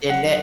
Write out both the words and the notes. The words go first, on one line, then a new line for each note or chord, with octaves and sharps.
Did it?
F#3 F#5